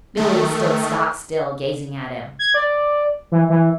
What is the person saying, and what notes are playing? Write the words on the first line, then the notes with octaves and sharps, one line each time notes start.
Billie stood stock still, gazing at him.
D#3 A3
G#6
D5
E3
E3